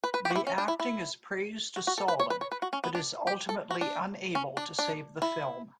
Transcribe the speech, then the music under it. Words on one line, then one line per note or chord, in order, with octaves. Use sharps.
The acting is praised as solid, but is ultimately unable to save the film.
B4
B4
G4
F#4
E4
C#4
D4
E4
E4
F#4
F#4
A4
B4
C#5
B4
C#5
B4
F#4
C#4
B3
D4
G4
A4
F#4
D4
C#4
D4
D4
E4